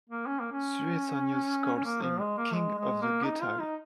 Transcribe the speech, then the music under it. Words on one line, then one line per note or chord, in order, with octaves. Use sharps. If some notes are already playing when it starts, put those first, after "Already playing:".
Suetonius calls him king of the Getae.
A#3
C#4
A#3
C#4
C#4
A#3
F3
G#3
A#3
G#3
G#3
A#3
D#4
F4
D#4